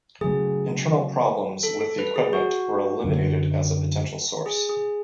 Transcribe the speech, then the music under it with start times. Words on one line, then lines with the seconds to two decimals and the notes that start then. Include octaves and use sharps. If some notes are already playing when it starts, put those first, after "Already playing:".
Internal problems with the equipment were eliminated as a potential source.
0.21 C#3 F#3 A3 G#4
1.63 A4
1.81 A4
1.99 B4
2.16 G#4
2.33 F#4
3.04 F#2 D3 F#3
4.46 G#4
4.69 G#4